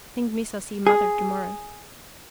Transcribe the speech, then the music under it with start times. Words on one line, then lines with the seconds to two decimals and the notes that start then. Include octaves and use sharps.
Think Missa see Mother to-morrow.
0.87 G#4